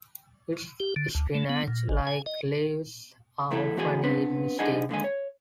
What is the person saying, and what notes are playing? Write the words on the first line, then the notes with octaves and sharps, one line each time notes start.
Its spinach-like leaves are often eaten steamed.
G4
D3
D2
A3
B3
A#2
G#1
G#5
D#5
E2 A3 E4 A4
E3 A3 F#4 G#4 G#5
B3 C4 D4 B4
D4 D#4 G#4 D#5 F#5 G#5
D#2 D3 G#3 G#5
C#5